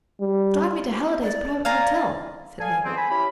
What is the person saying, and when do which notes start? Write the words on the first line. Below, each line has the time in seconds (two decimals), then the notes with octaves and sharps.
'Drive me to Halliday's Private Hotel,' said he.
0.21 G3
1.23 D5
1.65 D5 F5 G#5 A#5
2.60 A4 D5 F5 G#5
2.85 F2 G#2 E3 B3 C4
2.97 G#5 B5
3.10 C#4 E4 G4 B5